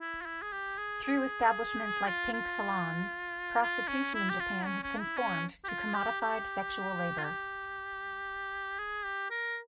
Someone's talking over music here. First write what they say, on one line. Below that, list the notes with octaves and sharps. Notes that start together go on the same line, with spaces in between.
Through establishments like pink salons, prostitution in Japan has conformed to commodified sexual labor.
E4
F4
E4
G#4
G4
G#4
G#4
F4
F4
F4
C#4
E4
G4
F4
C#4
C#4
E4
C#4
G4
F4
G4
G4
F4
G4
G#4
G4
A#4